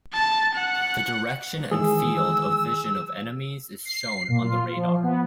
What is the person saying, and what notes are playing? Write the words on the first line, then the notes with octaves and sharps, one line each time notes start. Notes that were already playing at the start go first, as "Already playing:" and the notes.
The direction and field of vision of enemies is shown on the radar.
A5
F#5
D#3 E3 G#3 G#4 E6
C7
A#2
F4
F3
B3